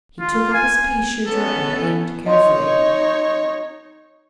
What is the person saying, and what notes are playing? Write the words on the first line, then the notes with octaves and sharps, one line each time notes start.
He took up his pea-shooter and aimed carefully.
F4
G#5
B3 C#4 A4
D#4 C#5 D#5 C6